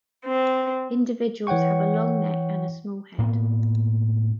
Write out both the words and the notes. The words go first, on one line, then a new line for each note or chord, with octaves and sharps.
Individuals have a long neck and a small head.
C4
E3 C#5 F#5 G5 C#6
A2 A#3 B3